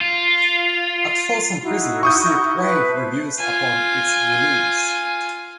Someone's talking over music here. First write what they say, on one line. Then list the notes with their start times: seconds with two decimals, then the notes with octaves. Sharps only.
"At Folsom Prison" received rave reviews upon its release.
0.01 F4
1.62 D#4 E4 F#4
2.03 C#6 D#6 G6
2.57 B4 E5 A5
2.94 C5
3.39 F4 G#5